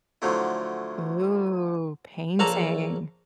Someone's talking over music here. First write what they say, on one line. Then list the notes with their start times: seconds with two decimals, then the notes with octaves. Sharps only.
Ooh, painting.
0.22 D3 F3 F#3 A3 E4
2.39 A#1 C#3 A#3 A4 F#5 A#5